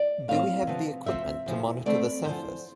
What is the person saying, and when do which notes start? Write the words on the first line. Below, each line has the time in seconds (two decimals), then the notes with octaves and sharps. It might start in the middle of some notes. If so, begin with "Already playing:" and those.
Do we have the equipment to monitor the surface?
Already playing: D5
0.28 A2 G3 C4 F5
0.67 C3 F3 B3
1.06 C3 F3 C4 E5
1.46 E2 C3 F3 A3 C4
1.86 B2 A3 C4 D5
2.24 E2 D3 F3 C5